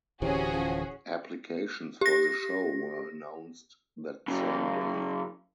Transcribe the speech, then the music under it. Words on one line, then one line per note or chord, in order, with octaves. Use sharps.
Applications for the show were announced that same day.
D1 C3 E3 C#4 F#4 G#4
F3
G4 A#6
F#2 C#3